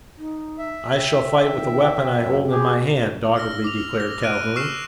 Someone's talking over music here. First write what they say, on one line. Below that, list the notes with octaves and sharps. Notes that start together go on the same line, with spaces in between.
"I shall fight with the weapon I hold in my hand," doggedly declared Calhoun.
D#4
E5
G5
D#3
F#2
G4 G#4
E6 F6 A#6
D6 F7
A#6
F6 F#6 D7 D#7
C#6 E6 F6 C7 E7